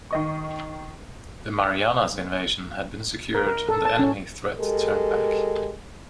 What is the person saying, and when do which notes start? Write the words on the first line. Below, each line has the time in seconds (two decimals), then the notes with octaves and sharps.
The Marianas invasion had been secured and the enemy threat turned back.
0.11 D#3 D#5 C#6
3.35 A#4
3.47 A#4
3.69 A4
3.85 A5
3.99 C#4
4.58 G#3 G4 A4 A#4